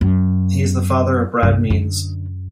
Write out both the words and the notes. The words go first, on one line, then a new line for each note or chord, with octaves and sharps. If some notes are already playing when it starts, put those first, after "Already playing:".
He is the father of Brad Means.
F#2
C2 G2
F#2 D3